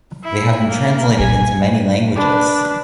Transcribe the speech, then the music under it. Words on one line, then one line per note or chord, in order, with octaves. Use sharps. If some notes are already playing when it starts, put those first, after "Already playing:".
They have been translated into many languages.
E4
A#3
A#2 B3 G#5
D4 B4